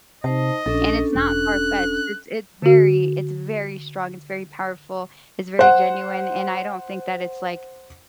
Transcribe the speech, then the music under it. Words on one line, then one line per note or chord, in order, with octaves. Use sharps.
and it's not farfetched, it's it's very it's very strong, it's very powerful, it's very genuine, and I don't think that it's, like,
C3 D#4 C5 D#5 A5
A#1 C#4 D4 A4
E1 F#6
D3 F#4
C5 F#5